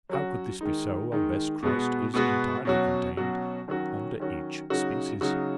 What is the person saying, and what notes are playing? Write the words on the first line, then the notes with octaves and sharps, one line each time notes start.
How could this be so, unless Christ is entirely contained under each species?
F#3 C#4 F#4
D#3 G#3 D#4
D#3 G#3 D#4
B2 G#3 B3 F#4
B2 G#3 B3 F#4
B2 F#3 C#4 F#4
B2 F#3 C#4 F#4
D#3 F#3 C#4 F#4
D#3 F#3 C#4 F#4
C#3 F#3 D#4 F#4
C#3 F#3 D#4 F#4